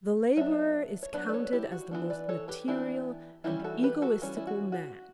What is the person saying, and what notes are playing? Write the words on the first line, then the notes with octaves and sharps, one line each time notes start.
The laborer is counted as the most material and egoistical man.
F#3 B3 D4 C#5 E5
C#5
F#3 B3 D4 B4 D5
D5
A4 C#5
E4 G4
F#4
E3 B3 D4
B4 D5
A4 C#5
G4 B4
E3 B3 D4 E4 G4
E3 G3 C#4 E4 G4
F#4 A4
G4 B4
F#4 A4
E3 G3 C#4
E4
F#4
F#4